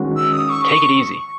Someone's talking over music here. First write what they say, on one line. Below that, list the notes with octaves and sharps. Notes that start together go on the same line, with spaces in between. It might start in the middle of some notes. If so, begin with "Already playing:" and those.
Take it easy!
Already playing: D#3 G#3 C#4 F#4
E6
D#6
C#6
C#6